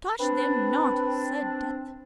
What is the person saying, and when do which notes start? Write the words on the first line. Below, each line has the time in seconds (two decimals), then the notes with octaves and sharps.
"Touch them not!" said Death.
0.20 C4 D4 B4